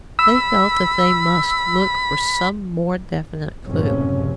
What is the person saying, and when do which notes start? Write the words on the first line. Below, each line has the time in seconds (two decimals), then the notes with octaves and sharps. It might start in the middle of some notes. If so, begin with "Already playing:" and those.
They felt that they must look for some more definite clue.
0.19 B5 E6
3.65 F#1 F#2 A2 C3 F3 C#4